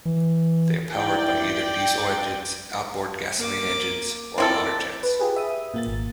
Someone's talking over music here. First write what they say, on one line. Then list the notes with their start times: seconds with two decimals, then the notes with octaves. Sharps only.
They are powered by either diesel engines, out-board gasoline engines, or waterjets.
0.05 E3
0.93 G#2 E3 E4 D5 G5
3.37 A#3 D6
4.38 C4 E4 A4 A#4 D5
5.03 B4
5.19 F4 G4 G#4 B4
5.36 E5 D#6
5.74 A#2 A#3 A6
5.87 G#1